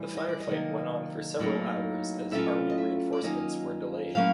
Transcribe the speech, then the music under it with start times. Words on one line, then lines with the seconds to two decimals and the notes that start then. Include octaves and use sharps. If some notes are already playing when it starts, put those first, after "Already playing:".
The firefight went on for several hours as army reinforcements were delayed.
Already playing: A2 E3 G3
0.17 D#5
0.28 D5
0.40 D#5
0.47 C3 D#3 F#3 A#3 D4
1.40 A2 F#3 A#3 D#4
2.31 A2 F#3 A3 C#4 F4 E5
2.70 D#5
2.78 E5
3.13 D5
3.23 D#3 F#3 A#3 C#4 F4 D#5
4.15 A2 F#3 A#3 C#4 F5